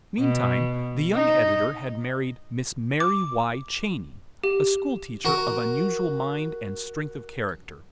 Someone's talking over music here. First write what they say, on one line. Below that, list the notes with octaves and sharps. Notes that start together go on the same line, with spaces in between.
Meantime the young editor had married Miss Mary Y. Cheney, a schoolteacher of unusual mind and strength of character.
B2
D#4
D6
G4
F#4 A#4